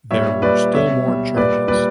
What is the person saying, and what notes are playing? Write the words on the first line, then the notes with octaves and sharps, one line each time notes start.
There were still more charges.
A#2 G3 C#5 E5
A#2 G3 B4 D5
B2 G3 C#5 E5
B2 G3
A#2 G3 B4 D5
A#2 G3 B4 D5